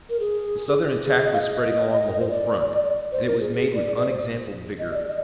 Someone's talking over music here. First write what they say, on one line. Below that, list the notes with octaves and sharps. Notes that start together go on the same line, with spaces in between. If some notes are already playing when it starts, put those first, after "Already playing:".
The Southern attack was spreading along the whole front, and it was made with unexampled vigor.
A#4
G#4
G#4
D#5
F5
D#5
C5
D5
C5
A#4
G#4
G#4
D5
D5
C5
D#5
D5
D#5